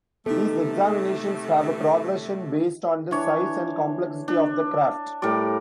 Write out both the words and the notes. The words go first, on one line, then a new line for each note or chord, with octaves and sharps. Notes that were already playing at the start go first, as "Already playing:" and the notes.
These examinations have a progression based on the size and complexity of the craft.
C3 G3 A3 B3 D#4 A4
E3 D4 C#5
D4
A2 G3 A#4 D5